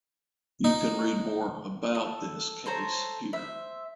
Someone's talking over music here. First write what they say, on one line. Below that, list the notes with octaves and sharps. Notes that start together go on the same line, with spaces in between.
You can read more about this case here.
D#4
A4
A4 C5 C#5 A#5
C5 E5